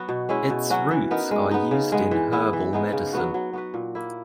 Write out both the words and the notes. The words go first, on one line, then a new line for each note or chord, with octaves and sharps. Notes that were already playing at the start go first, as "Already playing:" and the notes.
Its roots are used in herbal medicine.
Already playing: F#3 B3 F#4
B2
G#3 C#4 E4
B2
F#3 C#4 F#4
E3
B3 D#4 A#4
G#3
B3 D#4
C#3
G#3 B3
E3
B3 E4
E3
G#3 B3 D#4
C#3
F#3 B3 F#4
F#3
B3 F#4 B4
A#2
A#3 E4